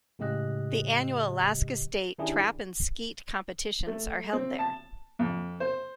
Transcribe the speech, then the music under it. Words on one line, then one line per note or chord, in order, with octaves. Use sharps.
The annual Alaska State Trap and Skeet competitions are held there.
A2 C#3 G#3 G4 D#5 F#6
D#3 C#4 D4 E4 G4 G#4
A3
C4
A5
F2
C5